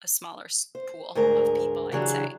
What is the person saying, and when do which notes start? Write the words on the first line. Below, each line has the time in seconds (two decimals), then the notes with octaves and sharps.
a smaller s pool of people, I'd say.
0.75 C5
1.15 D2 G#2 G#4 A#4
1.92 C#3 E3 F#3 D4 G4 G#4